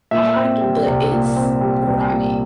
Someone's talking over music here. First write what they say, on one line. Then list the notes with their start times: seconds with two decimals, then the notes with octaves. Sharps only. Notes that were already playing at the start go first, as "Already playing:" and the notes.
Odd, but it's rotten
0.11 A#2 E5
0.36 C4
0.61 G3
0.87 C2
1.12 A#2
1.36 C4
1.61 G3
1.87 C2
2.11 A#2